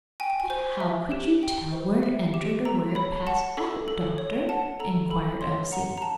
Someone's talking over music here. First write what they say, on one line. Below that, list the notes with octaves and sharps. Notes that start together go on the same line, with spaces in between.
"But how could you tell where it entered or where it passed out, doctor?" inquired Elsie.
G5 G#5
G5
G#5
C5 G#5
E5
G4
G5
C5
E5
G4
A4 A#5
C#5 B5
F#5 A5
A4
A4
C#5
F#5 A5
A4 A#5
A4 B5
C#5 C6
F#5 A#5
A#5
A5